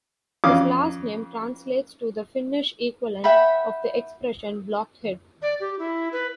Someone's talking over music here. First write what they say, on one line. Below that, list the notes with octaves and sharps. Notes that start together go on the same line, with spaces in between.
His last name translates to the Finnish equivalent of the expression "blockhead".
F2 C#4 F5 D6 D#6
E5 F#5 G5 B5
D5
G4
E4
B4